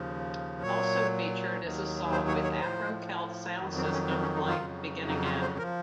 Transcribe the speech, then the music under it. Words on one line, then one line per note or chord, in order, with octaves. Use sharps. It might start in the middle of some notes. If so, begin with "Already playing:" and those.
Also featured is a song with Afro Celt Sound System, "Life Begin Again".
Already playing: D#2 C#3 F3
A#2 F#3 C#5
D#2 D#3 F#3
C5
C#5
C#5
A2 F3 C5
F2 D#3 F#3
C4
C#4
C4
C#4
D#4
F4
F2 C#3 F#3
D#4
F4
C5
A#4
F3